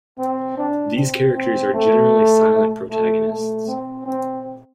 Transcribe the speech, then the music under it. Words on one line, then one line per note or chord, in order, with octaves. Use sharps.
These characters are generally silent protagonists.
C4
D4
C4
C4
A3
A3
A3
C4
C4